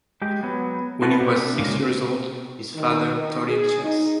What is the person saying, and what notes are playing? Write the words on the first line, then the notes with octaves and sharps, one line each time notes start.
When he was six years old, his father taught him chess.
G#3 G4
F#3 B3
C4 E4 F#4 A4 B4
C3 D4 G4
A#2 C#3 G#3 A#3
D#3
D#4
G#4
D#4